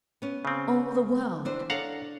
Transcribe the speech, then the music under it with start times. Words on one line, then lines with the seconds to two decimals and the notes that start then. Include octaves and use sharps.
All the world!
0.22 B3 C#4
0.45 C#3 C4
1.45 E3 D4 C5
1.70 D4 A4 C#5 F5 F#5 A#5